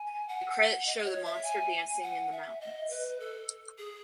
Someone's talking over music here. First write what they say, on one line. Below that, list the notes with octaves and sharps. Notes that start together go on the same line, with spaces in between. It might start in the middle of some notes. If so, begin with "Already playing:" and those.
The credits show the monster dancing in the mountains.
Already playing: G#5
F#5
D#5
C#5
E5
G#5
F#5
E5
D#5
B4
A4
G#4